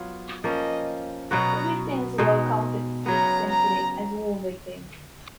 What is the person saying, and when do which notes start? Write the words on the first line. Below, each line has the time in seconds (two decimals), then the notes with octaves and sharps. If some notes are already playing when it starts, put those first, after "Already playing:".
The victims were counted simply as war victims.
Already playing: F#3 B3 F4
0.44 F3 A#3 C#4 D#5
1.31 B2 F#3 B3 F#4 A#5
2.18 B2 G#3 D#4
3.06 C#3 F#3 B3 A#5
3.50 A#5